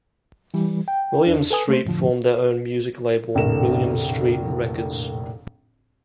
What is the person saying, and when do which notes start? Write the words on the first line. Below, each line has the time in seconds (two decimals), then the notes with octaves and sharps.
Williams Street formed their own music label, Williams Street Records.
0.54 E3 G3
0.88 G5
1.26 E2 D4
1.51 A4 B4 G#5 D#6
1.69 A3 C5
1.85 F2 A2 D3 F3
3.35 F1 A#1 A2 D3 A#4 E7